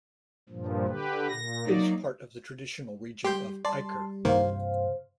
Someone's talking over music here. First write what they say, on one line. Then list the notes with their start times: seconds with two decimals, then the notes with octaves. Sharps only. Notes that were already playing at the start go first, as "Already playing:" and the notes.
It is part of the traditional region of Eiker.
0.49 G2 A#2 F3
0.88 D3 G4 B4
1.29 A#2 A#6
1.65 F#3 A#3 D#4 D5
3.24 G3 G4 C6 G6
3.65 G3 D5 A5 C6
4.25 G2 C3 D#3 A#3 C5 F5